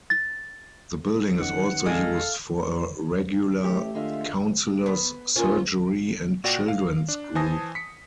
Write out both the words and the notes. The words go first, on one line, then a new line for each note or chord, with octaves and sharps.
The building is also used for a regular "Councillors' Surgery" and children's group.
A6
D#3 C#4 D#4 F#5
G#3 A4 F5
A1 A3 G4
D3 G#3 F4 E5
B3
A#3 C#4 F4
A#2 F#4 D5 G5 A#6
F5
D4
E3 C5 G#5 A5 D#6 A#6
B6 C#7